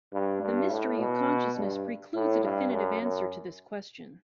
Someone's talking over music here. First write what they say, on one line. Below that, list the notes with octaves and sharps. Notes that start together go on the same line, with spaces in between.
The mystery of consciousness precludes a definitive answer to this question.
G2
G2
A2
B2
G2
A2
G2
F#2
F#2